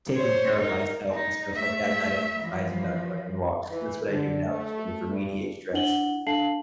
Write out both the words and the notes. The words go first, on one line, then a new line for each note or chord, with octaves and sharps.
taking care of myself and stuff like that, not exercising, not going on walks, 'cause that's what I do now to sort of remediate stress,
C5 C#5
D#4 A#4
D#4
A3 E5
E3 F3
E3
D3
A3
G2
D4 E4 F#5 F#7 G7
D4 A4 F5 A5 C7 F#7